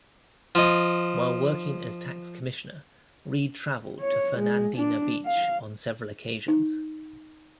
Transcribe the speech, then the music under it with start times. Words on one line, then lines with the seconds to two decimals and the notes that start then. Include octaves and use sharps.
While working as Tax Commissioner, Reed traveled to Fernandina Beach on several occasions.
0.55 F3 D#5
4.00 C#5
4.38 G#3
4.77 D4
5.26 F5
6.48 D#4